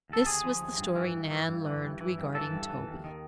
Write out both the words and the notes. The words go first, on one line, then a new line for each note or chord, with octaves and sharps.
This was the story Nan learned regarding Toby.
D#2 A4
D3 G#4
F3
D#2
G2
E3
G2
E3
G2
E3
G2
E3
G2
E3 A4
G2
E3
D#2
D#3